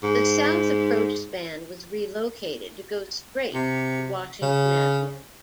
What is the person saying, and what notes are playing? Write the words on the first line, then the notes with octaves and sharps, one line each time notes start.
The south approach span was relocated to go straight to Washington Avenue.
G#2
C3
C#3